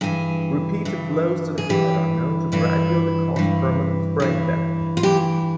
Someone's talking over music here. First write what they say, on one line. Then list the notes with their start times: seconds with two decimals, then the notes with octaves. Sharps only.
Repeated blows to the head are known to gradually cause permanent brain damage.
0.01 G2 E3 G#4
0.85 G2 E3
1.58 G#4
1.69 G2 E3 G4
2.52 G2 E3 E4
3.36 G2 E3
4.20 G2 E3
4.97 F4
5.03 G2 E3 G4